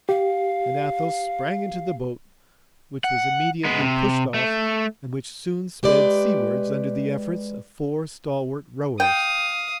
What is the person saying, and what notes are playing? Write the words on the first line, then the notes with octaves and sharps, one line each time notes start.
And Athos sprang into the boat, which was immediately pushed off and which soon sped seawards under the efforts of four stalwart rowers.
G4 F5
F#5
G#3 B3
C3
A3
G#3 G4 B4 D5
F5 G5 D#6